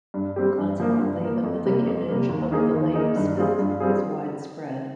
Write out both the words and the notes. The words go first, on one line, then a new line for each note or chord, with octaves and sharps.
Consequently, the mythic image of the lame smith is widespread.
G2
G3 C4 G4
G2
F3 A#3
G2
F3 A#3
F2
C3 G3 A#3
F2
C3 G3 A#3
D#2
D#3 A#3 D#4 G#4
D#2
D#3 A#3 D#4 G#4
G2
G3 C4 F4 G#4
G2
G3 C4 F4 G#4